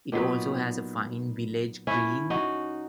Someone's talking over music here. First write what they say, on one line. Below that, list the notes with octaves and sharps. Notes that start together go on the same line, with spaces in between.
It also has a fine village green.
A#2 F#3 B3 D#4
C#4 E4
D#4 F#4